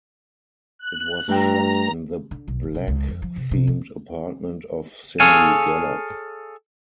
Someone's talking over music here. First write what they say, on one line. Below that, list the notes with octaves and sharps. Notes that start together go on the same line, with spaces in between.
It was shot in the black themed apartment of Cindy Gallop.
F#6
G2 A3 G5 A#5
D3
B1
F#1
C2
C#2
F2
F3
C3
C3
F2
G#4 A4 C#5 F5 G#5